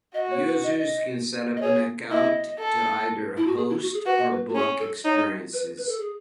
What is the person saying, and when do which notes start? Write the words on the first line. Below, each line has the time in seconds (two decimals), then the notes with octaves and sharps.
Users can set up an account to either host or book experiences.
0.14 F#4 D#5
0.31 C#5
0.47 B4
0.64 D#5
0.78 D#5
1.57 D#5
1.62 G#4 C#5
2.11 E4 D#5
2.59 A4
3.37 E4
3.47 F#4
3.57 G#4
3.70 E4
3.82 F#4
3.94 G#4
4.06 F#4 B4
4.19 D#5
4.31 B4
4.49 F#4
4.55 C#4 G#4
4.79 A4
5.04 D#4 C#5
5.53 B4
5.78 B4
5.89 A4
6.00 G#4